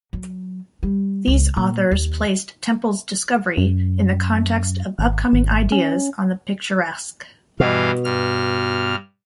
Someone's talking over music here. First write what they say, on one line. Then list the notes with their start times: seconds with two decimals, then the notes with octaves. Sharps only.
These authors placed Temple's discovery in the context of upcoming ideas on the picturesque.
0.13 F#3
0.83 G3
1.28 C#2
1.57 A#2
1.91 D#2
3.58 F#2
4.99 G#1
5.33 G#1
5.72 C#4
7.60 G2 B2 E3 F5
8.04 G2 F6